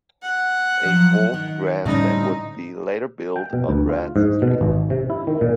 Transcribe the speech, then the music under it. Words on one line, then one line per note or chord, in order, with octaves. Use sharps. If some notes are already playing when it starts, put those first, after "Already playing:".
A fourth grandstand would be later built on Brandsen street.
F#5
F3 F#3
D#3
A2 D3 G3 C4 C#4 D#4
G5
B2
D2
F4
G#2
B2
G#1
C3
E4
D#3
A#2